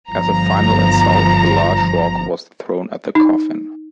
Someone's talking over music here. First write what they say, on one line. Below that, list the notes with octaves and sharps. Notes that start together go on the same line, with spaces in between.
As a final insult, a large rock was thrown at the coffin.
G1 F3 A#5
D#4